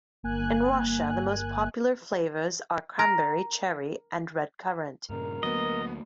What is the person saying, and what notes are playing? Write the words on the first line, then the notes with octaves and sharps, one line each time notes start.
In Russia, the most popular flavours are cranberry, cherry, and redcurrant.
G1 A#3 G#5 F#6
A#4
G2 A#2 C#3 A#4 A#5
D2 F#3 A#3 B3 D#5